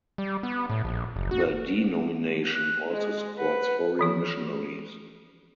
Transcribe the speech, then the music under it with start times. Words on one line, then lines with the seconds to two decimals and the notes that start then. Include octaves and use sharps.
The denomination also supports foreign missionaries.
0.18 G3
0.43 B3
0.70 A2
0.85 A#1
1.16 F#1
1.31 F#4
2.53 F#6
2.91 G#3 D#5
3.38 B4 F#5
3.99 E3 F3 F4